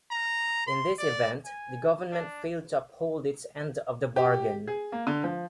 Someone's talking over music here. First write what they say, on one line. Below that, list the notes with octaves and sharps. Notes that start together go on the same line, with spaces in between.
In this event, the government failed to uphold its end of the bargain.
A#5
C6
D5
G#5
D4
G4
G#4
A#3
D3
F3